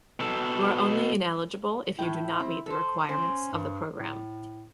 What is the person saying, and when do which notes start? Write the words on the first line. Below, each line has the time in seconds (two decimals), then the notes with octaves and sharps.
You are only ineligible if you do not meet the requirements of the program.
0.20 B2 A4
1.99 A2 E4 G5
2.40 C4
2.66 A4 C5
3.09 C#4 C5
3.53 G2
3.96 A2